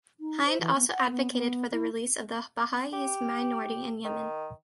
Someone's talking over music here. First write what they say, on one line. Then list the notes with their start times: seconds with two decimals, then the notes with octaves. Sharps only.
Hind also advocated for the release of the Baha’is minority in Yemen.
0.20 D#4
0.46 C5
0.61 E3
0.76 B3
0.90 F#5
1.10 B3
1.32 B3
1.72 E4
2.93 G4
4.04 D#3